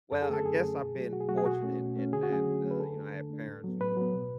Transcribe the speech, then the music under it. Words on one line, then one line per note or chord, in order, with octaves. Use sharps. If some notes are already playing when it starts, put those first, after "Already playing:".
Well, I guess I've been fortunate in that, uh, you know, I had parents who,
F#2 A4
G#4
D3 A3 C#4 A4
F#2 G#4
D3 A3 C#4
B2
F#3 A3
B2 F#4
G#4
F#3 A3 F#4
G#4
B2 F#4
A3 C#4
B2
A3 C#4
D3 G#4
F#4
F#3 A3 C#4 G#4
D3
F#3 A3 C#4
B4
D3 A4
A3 D4
D3
A3 D4
A2
F#3 B3
A2 B4
F#3 B3
B2